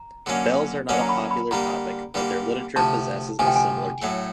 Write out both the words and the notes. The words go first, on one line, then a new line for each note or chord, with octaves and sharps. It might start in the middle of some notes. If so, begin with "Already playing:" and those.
Bells are not a popular topic, but their literature possesses a similar gambit.
Already playing: A#5
D3 F#3 A#3 C#4
D3 F#3 A#3 C#4
A#5
B5
B5
D3 G3 A#3 A#5
D3 G3 A#3
D2 C3 F3 A5
D2 C3 F3 G#5
G5
G#5
A2 F#3 A3